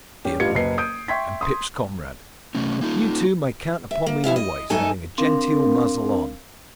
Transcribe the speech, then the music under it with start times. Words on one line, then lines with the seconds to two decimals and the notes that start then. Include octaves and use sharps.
Dear boy, and Pip's comrade, you two may count upon me always having a gen-teel muzzle on.
0.25 G3 C#4 G4
0.40 A1 G2 G3 F4 G#6 C#7
0.55 F#1 B4 C7
0.78 D#6 G6 D7
1.08 E5 G5 C6 C#6 G#6 B6
1.41 C6 D#6
2.55 C3 A3 C#4
2.81 A#3 D#4 F4
3.91 E5
4.06 A#3
4.24 F2 E4 E5 F5
4.36 D#5
4.70 F#2 A3 D#4 A4 G#5
5.18 C4 D4 A#4 F5